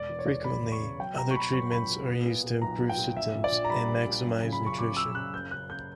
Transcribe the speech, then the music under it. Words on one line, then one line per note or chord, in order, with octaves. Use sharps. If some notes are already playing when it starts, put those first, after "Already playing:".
Frequently, other treatments are used to improve symptoms and maximize nutrition.
Already playing: E1 D5
E2
C#5
E1 D5
E1 B5
E1
C#6
C#3
F#3 G5
B2 A#5
C#6
B2 B5
F#3 C#6
C#2 B5
B2
B3
A#2
A#2
B1 A#5
A#2
G5
A#2
A#1 E5
A#1
D5
A#1
A#5
G3 B5
A#1
A#2
F#2
C#3
B5
C#3
C#6
C#3 D6
C#3 E6
C#3 F#6
F#1 G6
C#3 F#6
C#3 G6